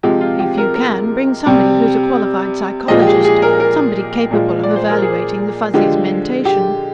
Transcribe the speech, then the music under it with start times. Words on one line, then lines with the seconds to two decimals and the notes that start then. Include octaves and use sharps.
If you can, bring somebody who's a qualified psychologist, somebody capable of evaluating the Fuzzies' mentation.
0.03 C3 F3 G#3 G4
0.21 F4
0.40 G4
0.58 A#4
0.75 A#4
1.46 C3 G3
2.88 A#2 F3 G#3 D#5
3.01 G4
3.07 G#4
3.24 G#4
3.42 A#4
3.60 A#4
4.31 A#2 F3 G#3
4.63 D5
4.76 C5
4.89 A#4
5.02 G#4
5.74 D3 F3 G#3 G4
6.45 G4